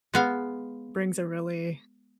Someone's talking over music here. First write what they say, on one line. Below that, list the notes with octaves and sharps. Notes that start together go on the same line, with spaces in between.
brings a really,
G#3 B3 F5